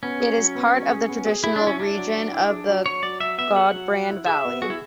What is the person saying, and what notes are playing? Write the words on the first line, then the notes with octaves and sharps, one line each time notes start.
It is part of the traditional region of the Gudbrand Valley.
B3 C#4
G#4
F#3
B3
F#3
G#4
B3
G#4
E4 G#4
D4
E4
C#4
D4 E4
F#3
F#3
E4
G#4
F#3
F#3 C#5
F#3 D5
F#3 E5
B3 E5
G#4 F#5
F#3
F#3
E4
G#4 E5
B3
F#4 G#4
E4